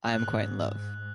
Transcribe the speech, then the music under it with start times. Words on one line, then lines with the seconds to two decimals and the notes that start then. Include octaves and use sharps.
I am quite in love.
0.13 G#2 F#6